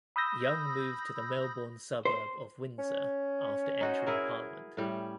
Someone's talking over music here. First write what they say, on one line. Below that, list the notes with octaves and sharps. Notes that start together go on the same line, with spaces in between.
Young moved to the Melbourne suburb of Windsor after entering parliament.
B5 D#6 E6 G6 A#6
C5
C#4
D#4 F#4 C5
E4 G#4 A#4
A2 G3 C#4